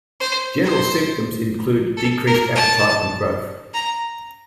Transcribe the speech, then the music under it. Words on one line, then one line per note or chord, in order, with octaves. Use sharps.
General symptoms include decreased appetite and growth.
C5
C5
A4
A#4
A5
A#5